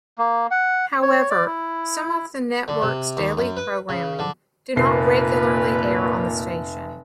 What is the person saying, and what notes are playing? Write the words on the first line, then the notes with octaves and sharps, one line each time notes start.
However, some of the network's daily programming did not regularly air on the station.
A#3
F#5
C#5
D5
E4
D3
C3
D#2
F#2
B4
C#3
D3
F1 A#2 B4 C7